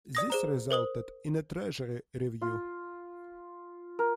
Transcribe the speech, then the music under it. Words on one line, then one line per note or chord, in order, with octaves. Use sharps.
This resulted in a Treasury review.
D5 D#6 A#6
G#4 C5 A#5
A#4 C5 D#6 F#7
F4
A#4